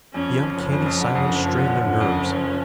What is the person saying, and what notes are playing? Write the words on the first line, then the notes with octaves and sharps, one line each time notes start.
The uncanny silence strained their nerves.
F2 C#4
F3
F2
F#1
F2 C#4
F2
D3
F2
F#1 C#4
F3
D3
F#1
D3 C#4
F2
F#1
F#1
F3